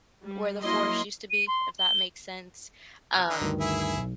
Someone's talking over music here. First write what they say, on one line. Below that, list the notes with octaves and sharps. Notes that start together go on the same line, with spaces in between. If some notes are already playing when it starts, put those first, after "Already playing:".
where the forest used to be, if that makes sense. Um
G3
F#3 A#3 E4 D#5 C6
D#7
C6
G7
A#5 F6 F#6
D3 D#4
D2 G2 D#3
E4 G#4 E5
B1